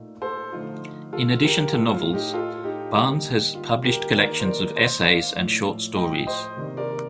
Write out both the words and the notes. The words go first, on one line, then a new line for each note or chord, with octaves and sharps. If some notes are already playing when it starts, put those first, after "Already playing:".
In addition to novels, Barnes has published collections of essays and short stories.
Already playing: A#2 A3 D#4
A4 C5
D3 F3 A3 D#4 F4
F4 A4
G4 A#4
A2 A3 D#4 F4 A4
F4
D#4 G4
F4 A4
D#4 G4
D3 G3 A#3 D#4
F4
G4 A#4
D#3 A#3 D#4 A#4 D5
C5
A#4 D5
C5 D#5
D5 F5
A2 F3 A3
D#5 G5
C5 D#5
C3 D#3 A#3 D4
A#4 D5